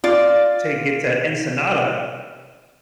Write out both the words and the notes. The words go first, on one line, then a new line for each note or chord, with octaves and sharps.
to get to Ensenada
F4 D5